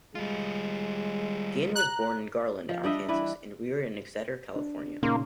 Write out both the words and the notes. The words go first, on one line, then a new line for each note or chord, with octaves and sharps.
Guinn was born in Garland, Arkansas and reared in Exeter, California.
G3 G#3 F4
A#5 F#6
F3
G3 D4 D#5 E5
E3 D4 E4 B4
D4
A#2 C#3 A#3 C#4 D#4 C6